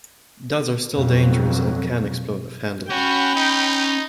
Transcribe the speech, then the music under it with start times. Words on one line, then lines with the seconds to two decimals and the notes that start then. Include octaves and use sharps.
Duds are still dangerous, and can explode if handled.
0.94 F2 B2 F#3
2.90 C#4 F#4 G5 B5
3.36 D#4